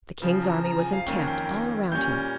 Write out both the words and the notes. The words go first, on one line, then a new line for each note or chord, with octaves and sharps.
The king's army was encamped all around him.
C#3 F3 C4
A#5
A#5
G#5
F5
F2 D#3 A#3 C#4 G5
G5
A#2 G3 C#4 G6